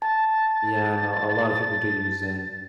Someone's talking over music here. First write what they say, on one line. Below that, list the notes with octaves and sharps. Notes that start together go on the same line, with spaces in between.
Yeah. I know. A lotta people do use Zen.
A5 A6